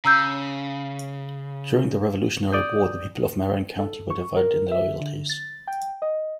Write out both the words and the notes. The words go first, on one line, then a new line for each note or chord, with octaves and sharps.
During the Revolutionary War, the people of Marion County were divided in their loyalties.
C#3 A#5 E6 G6
D5 D#6 G6
A4
C#6
A#4
E5
D3
A6
G5
D#5